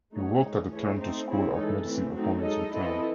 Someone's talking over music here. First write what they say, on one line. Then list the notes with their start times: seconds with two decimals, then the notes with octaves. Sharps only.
He worked at the Toronto School of Medicine upon his return.
0.13 A3 D#4 F#4 C#5
0.42 G#3 D#4 G#4
0.71 E3 A3 C#4 G#4 C#5
1.00 A3 C4 D#4 A4 C5
1.28 C4 E4 G#4 C#5
1.57 E3 G#3 D#4 A4
1.86 E3 A3 C4
2.15 F#3 A3 C4 D#4
2.43 G#3 D#4 A4 D#5
2.73 E3 C4 E4 A4 D#5